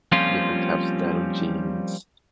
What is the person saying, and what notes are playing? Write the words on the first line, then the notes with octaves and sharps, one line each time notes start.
different types of denim jeans.
F3 G3 A#3 C4 C#4 F4